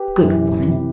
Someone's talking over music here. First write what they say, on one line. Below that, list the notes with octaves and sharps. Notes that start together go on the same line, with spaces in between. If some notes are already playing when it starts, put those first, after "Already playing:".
Good woman!
Already playing: G4 B4
F#2 E3
C3 E3